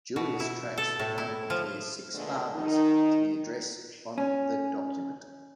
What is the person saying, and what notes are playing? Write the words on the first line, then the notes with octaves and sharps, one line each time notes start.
Julius tracks one of their six fathers to the address on the document.
B2
E4
A4
A2
E4
F3
A#2 D3 F3 G#3 A3 B3
D#3 D#4
C#4